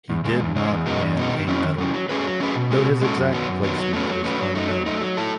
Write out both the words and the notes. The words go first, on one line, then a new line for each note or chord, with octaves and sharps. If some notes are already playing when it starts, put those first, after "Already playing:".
He did not win a medal, though his exact placement is unknown.
E2
C#3 G#3
E2
C#3 G#3
E2
B2 G#3 B3 D#4
E2
B2 G#3 B3 D#4
D#3
F#3 C#4 E4
D#3
F#3 C#4 E4
F#3
A3 C#4 G#4 B4
F#3
A3 C#4 G#4 B4
B2
G#3 C#4 F#4 A4
B2
G#3 C#4 F#4 A4
F#2
D#3 F#3 B3
F#2
D#3 F#3 B3
F#3
A3 C#4 F#4 B4
F#3
A3 C#4 F#4 B4
F#3
A3 D#4
F#3
A3 D#4
F#3
A3 E4 A4